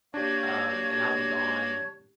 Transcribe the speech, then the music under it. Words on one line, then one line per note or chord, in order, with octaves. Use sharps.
Um, and I'll be gone
A#3 D4 F#4 G4 C#5 G#6